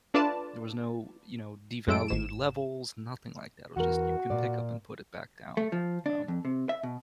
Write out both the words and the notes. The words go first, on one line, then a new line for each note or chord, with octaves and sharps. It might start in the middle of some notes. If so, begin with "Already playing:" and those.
there was no, you know, devalued levels, nothing like that, it was just you can pick up and put it back down. Um,
A3 D4 F4 B4 D5 A5
F#2 G#3 A3 A4 D7
G#1 G#2 E7
E2 F#4 A#4
A#2 D5
A3
F3
D4
F2
C3
E5
B2